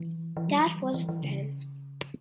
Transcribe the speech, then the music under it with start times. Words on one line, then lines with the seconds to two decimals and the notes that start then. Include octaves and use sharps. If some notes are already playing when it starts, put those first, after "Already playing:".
That Was Then...
Already playing: E3
0.37 E3
0.48 G3
0.59 E3
0.80 G3
0.94 E3
1.09 E3
1.23 C#3